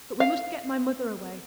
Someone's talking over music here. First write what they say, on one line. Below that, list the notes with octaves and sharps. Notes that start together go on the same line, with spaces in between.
But we must get my mother away.
F5